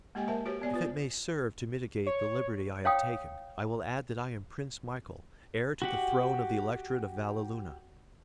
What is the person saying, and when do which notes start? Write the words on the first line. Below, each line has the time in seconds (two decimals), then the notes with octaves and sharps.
If it may serve to mitigate the liberty I have taken I will add that I am Prince Michael, heir to the throne of the Electorate of Valleluna.
0.15 G#3 A#3 G4 D#5 G5 G#5
0.28 A#4 C5 E5 A5
0.46 F#4 G4 B4 C#5
0.62 B3 D5 G#5
0.74 F4 B4 C5
2.06 C#5
2.85 C#5 F5 G5 D#6
5.82 F#4 G4 F#5